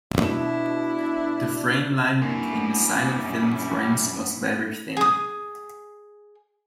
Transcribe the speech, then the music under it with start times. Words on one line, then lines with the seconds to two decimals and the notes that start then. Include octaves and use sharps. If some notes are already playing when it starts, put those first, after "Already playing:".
The frame line between the silent film frames was very thin.
0.21 B2 D4 E4 E7
2.22 F#2 E3 G3 A#3 C#4 D4 E4
4.97 G#4 D#6